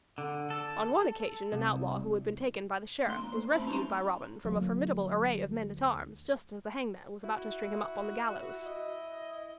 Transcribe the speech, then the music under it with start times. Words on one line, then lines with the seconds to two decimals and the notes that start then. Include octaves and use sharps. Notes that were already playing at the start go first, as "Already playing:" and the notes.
On one occasion an outlaw who had been taken by the Sheriff was rescued by Robin from a formidable array of men-at-arms just as the hangman was about to string him up on the gallows.
0.18 D3
0.50 A4
1.52 C2
3.05 C2 A3 D4 C6
3.17 A#2 A#3
3.32 C5
3.53 A2 A3 C4 A5 B5
3.66 C#4 D#4 F#4 C5 A#5 C6
4.45 D2 F#3 A#3
7.24 E4 F#4
8.66 D#5